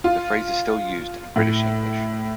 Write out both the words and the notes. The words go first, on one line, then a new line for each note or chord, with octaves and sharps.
The phrase is still used in British English.
F4
A2